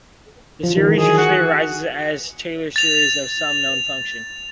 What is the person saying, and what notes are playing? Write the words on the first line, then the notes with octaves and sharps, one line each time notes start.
This series usually arises as the Taylor series of some known function.
F3
D#3 E3
G#4
F#4
A6 F7